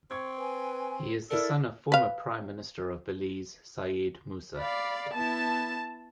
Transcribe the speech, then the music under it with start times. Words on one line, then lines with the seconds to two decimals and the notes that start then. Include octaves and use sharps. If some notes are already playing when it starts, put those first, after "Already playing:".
He is the son of former Prime Minister of Belize Said Musa.
0.11 C4 C#6 G#6
0.38 B4 G#5
1.31 E4 A4 A#4 D5 E6
1.92 B4 F5
4.57 D5 F5 B5
5.13 B3 E4 A5